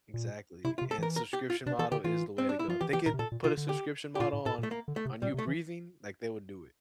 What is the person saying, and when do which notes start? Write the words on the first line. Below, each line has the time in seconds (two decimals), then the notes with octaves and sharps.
Exactly, and subscription model is the way to go. If they could put a subscription model on on you breathing, like, they would do it.
0.14 A#2
0.64 C3 E4
0.78 F4
0.82 C3
0.91 A4
0.98 E3 A#4
1.16 A#4
1.33 G4
1.50 F4
1.66 C3 D4
1.79 E3 A4
1.92 D3 G4
2.04 E3 F4
2.38 C4
2.49 D4
2.59 E4
2.68 F3 F4
2.81 E3 G4
2.93 E3 G4
3.06 A#2 A#4
3.14 C3
3.19 A#2 A4
3.32 A#2
3.44 C3 F4
3.57 D3
3.69 G4
4.15 G4
4.20 A#2 F4
4.33 A2
4.46 A2 A4
4.59 A#2
4.63 A3
4.71 A#3
4.88 D3
4.96 A3
5.05 C3
5.22 A#2 G3
5.34 C3
5.39 A3
5.47 E3